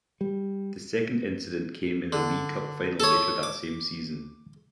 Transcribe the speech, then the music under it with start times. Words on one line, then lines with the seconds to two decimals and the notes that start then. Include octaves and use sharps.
The second incident came in the League Cup final later that same season.
0.21 G3
2.13 D3
3.00 A4 C#5
3.43 D6